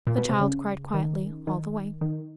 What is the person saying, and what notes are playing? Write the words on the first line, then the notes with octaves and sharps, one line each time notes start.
The child cried quietly all the way.
A#2
B2
C3
C#3
D#3
D#3
D#3